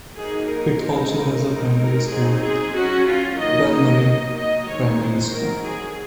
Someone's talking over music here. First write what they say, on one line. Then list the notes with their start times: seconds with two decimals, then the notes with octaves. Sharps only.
It also has a primary school, Balnarring Primary School.
0.14 F#3 A#3 D#4 G#4
0.46 A#4
0.79 G#3 C4 D#4
1.11 A#4
1.44 G#3 C4 D#4 A#4
1.76 A#4
2.08 F#3 C4 D#4 G#4
2.40 G#4
2.72 F#3 C#4 F#4
3.05 F4
3.38 D#3 F#3 A#3 D#4 D#5
3.70 D#5
4.02 F#3 A#3 D#4
4.34 D#5
4.67 D#3 G#3 C4 D#4 C#5
4.99 C5
5.31 D#3 F#3 C4 A#4
5.64 G#4